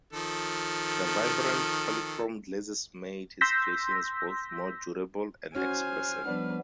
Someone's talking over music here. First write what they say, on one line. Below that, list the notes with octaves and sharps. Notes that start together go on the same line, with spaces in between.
The vibrant, polychrome glazes made his creations both more durable and expressive.
D#3 F3 A4
C6 E6 G6 A#6 B6
C#4 F#4 C5 G#5 F6
F3 G3 B3 D4 B4